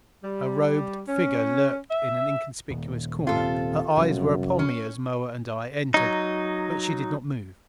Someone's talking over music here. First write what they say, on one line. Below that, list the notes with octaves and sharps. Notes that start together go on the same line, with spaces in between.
Her robed figure lurked in an inconspicuous corner; her eyes were upon me as Moa and I entered, but she did not move.
G3
C#4
E5
D#1
C3 F4 A4
F1 F#2 G3
C#4
F#3 D#4